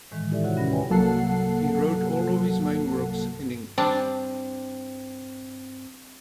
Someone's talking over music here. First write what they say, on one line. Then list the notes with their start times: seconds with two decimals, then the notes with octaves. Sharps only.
He wrote all of his main works in English.
0.12 A2 D#3 E3 G#3
0.30 D#4 E4 G4 A4 D5 E5
0.44 C3 F#4 C#5 F#5
0.57 D#2 D3 C#4 A#4 B5 A#6
0.71 B4 C#5 D5 E5 G5 G#5
0.90 C2 F#3 A#3 A4 F#5 C7
3.78 G3 C4 D4